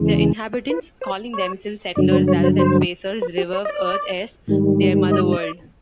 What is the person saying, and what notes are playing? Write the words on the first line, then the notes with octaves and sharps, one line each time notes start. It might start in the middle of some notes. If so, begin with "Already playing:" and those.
Their inhabitants, calling themselves "Settlers" rather than "Spacers", revere Earth as their mother-world.
Already playing: E2 C#3 E3 G#3
B4
C5
C#5
G2 D3 F#3 D5
C5
C#5
C5
C5
B4
G4
C#5
D#5
D5
G#2 D#3 G3
D#5
D#5
D5